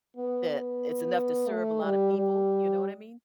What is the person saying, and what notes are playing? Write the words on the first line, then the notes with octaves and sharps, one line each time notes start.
that it's enough to serve a lotta people, you know what I mean?
B3
B3
A3
G3
G3